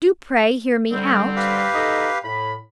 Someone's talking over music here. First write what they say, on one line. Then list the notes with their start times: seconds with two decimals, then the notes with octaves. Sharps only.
Do pray hear me out.
0.91 D3 G3 C4
1.36 G4 B4 F5
1.74 D#4 A4 D#5
2.23 A2 B5